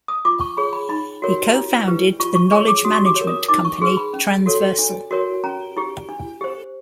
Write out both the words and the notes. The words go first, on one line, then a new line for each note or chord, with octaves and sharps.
He cofounded the knowledge management company Transversal.
D#6
F4 D6
C#6
G#4 C#5 B5
B5
D#4 B5
F#4 A#4 C#5
E4
G4 B4
F4 C#6
C#6
G#4 C#5 C#6
D6
F#4 D#6
C#6
D6
C#5
A#4
D#6
D#4 D6
C#6
G#4 B4 C6
B5
C#4
F#4 A4 C#5
D4
F#4 A#4 C#5
C#4 A#5
E4 G4
D4
G4 C5